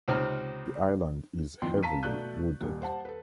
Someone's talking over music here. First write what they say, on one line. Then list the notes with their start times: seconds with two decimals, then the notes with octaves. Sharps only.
The island is heavily wooded.
0.08 C#2 C3 C4 D#4 F6
1.62 F2 A#2 D#3 E3 G5 C6
1.83 F5 A5 A#5 B6 D#7
2.03 B2 A3 D5 F#6 G6
2.61 D#1 D#2
2.82 C5 F#5 A5
3.05 A4 B4